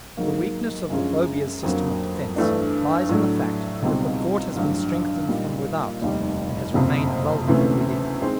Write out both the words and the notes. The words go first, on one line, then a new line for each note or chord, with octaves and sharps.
The weakness of the phobias' system of defense lies in the fact that the fort has been strengthened from without and has remained vulnerable within.
G#2 D#3 F#3 A#3
F#2 D3 F3 G#3 C#4
F2 D3 F#3 A#3
G2 E3 A3 D4
A2 F#3 A3 D4
C#2 B2 G3 C4 D#4
A1 G2 D3 F#3
A#2 G3 A#3 D#4
F1 D#2 D#3 G3
F#1 F2 C3
D2 C3 E3 A3 C#4
D#3 G#3 C4